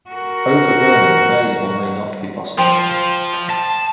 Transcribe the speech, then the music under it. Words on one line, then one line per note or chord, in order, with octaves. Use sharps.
Overburning may or may not be possible.
F#4 A#4
F3 C5 G5 C6
A5